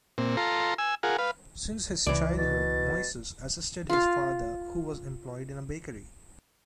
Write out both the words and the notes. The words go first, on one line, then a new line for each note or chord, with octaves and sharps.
Since his childhood Moisis assisted his father who was employed in a bakery.
A#2 C4
F4 A4 A#5 C6
G#5 E6
F4 G#4 A#4 F#5
B4 F5
C#2 E3 D5
B2 A6
F4 F5